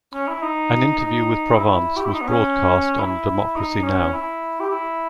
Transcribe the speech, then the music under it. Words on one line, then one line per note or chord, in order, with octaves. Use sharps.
An interview with Provance was broadcast on the Democracy Now!
C#4
E4
D#4
D#4
E4
G4
E4
D#4
B3
C#4
E4
D#4
C#4
E4
G4
E4